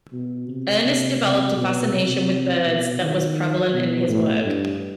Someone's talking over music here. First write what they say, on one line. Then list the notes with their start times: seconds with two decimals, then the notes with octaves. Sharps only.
Ernst developed a fascination with birds that was prevalent in his work.
0.12 B2
0.48 C3
0.84 C3
1.20 C3
1.56 B2
1.92 C3
2.65 B2
3.01 D#3
3.73 B2
4.08 A2
4.45 G2